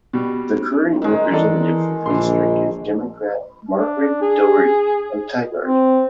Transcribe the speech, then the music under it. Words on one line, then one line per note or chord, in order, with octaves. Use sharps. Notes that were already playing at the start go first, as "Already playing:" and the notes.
The current representative for the district is Democrat Margaret Doherty of Tigard.
B2 G3
D#3 G#3
E3 A4 D5
A#1 D3 E3 C6
D4
G#4
C4